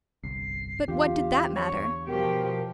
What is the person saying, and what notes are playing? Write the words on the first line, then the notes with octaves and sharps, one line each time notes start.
But what did that matter?
G1 C2 C7
E2 D3 F4 G4
C#5 C#6
B2 F3 G4 A#4